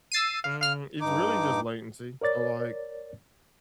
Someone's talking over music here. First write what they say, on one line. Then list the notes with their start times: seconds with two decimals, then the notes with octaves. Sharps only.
Mm, it's really just latency so, like,
0.12 E6 A6 C7 D#7
0.44 F5
0.61 F5 F6
1.01 G2 D#4 D6
2.21 A#4 C#5 D5 A6